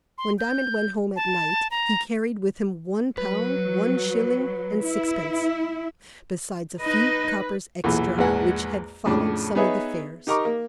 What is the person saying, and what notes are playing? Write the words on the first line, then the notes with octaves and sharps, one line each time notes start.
When Diamond went home at night, he carried with him one pound one shilling and sixpence, besides a few coppers extra, which had followed some of the fares.
C6
G6
A5
A#5
F#3 B4
E4
D#4 B4 D#5
B1 E2 A#2 E3
A#1 E2 G#2 B4 F#5 G#5
F2 A2 C#3 D4
B3 D#4 G#4 B4 C#5 E5
D#4 G4 A#4 A#5 C#6 D6
A#3